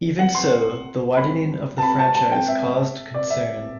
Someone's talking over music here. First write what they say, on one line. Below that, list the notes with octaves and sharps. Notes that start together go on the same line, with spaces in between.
Even so, the widening of the franchise caused concern.
F#5
C6
B5
A5
B5
A5
A5
G5
E5
D5
E5